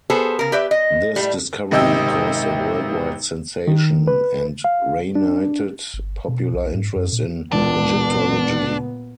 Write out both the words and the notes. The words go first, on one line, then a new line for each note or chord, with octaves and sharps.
This discovery caused a worldwide sensation and reignited popular interest in Egyptology.
B3 G#4 A4 C5
C#3 A#4
G4 B4 D5 E5
D#5
A2 G3
G#1 C3 D#5 G5 E6
D#3
B4
F5
D4
G1
B2
B1
G#2
F#2
A#2
E1 C#2 A#2 B3 D4